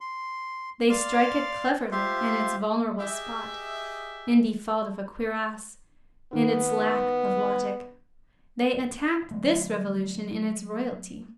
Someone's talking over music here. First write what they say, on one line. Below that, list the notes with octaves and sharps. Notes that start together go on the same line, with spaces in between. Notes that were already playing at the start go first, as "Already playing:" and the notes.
They strike it cleverly in its vulnerable spot, in default of a cuirass, in its lack of logic; they attacked this revolution in its royalty.
C6
D5 F5 C6 D6 F6
F4 G4 C5 E5 F5 C6
G4 G#4 D#5 E5
D#3 B3
F#3 A3